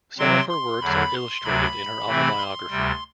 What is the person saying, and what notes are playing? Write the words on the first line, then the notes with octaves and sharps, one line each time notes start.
Some of her works are illustrated in her autobiography.
C3 F#3 C4 C6
C6
E2 D3 F#3 B5
C6
D2 C3 F#3 B5
C3 E3 A3 C4
C6
D2 C3 G3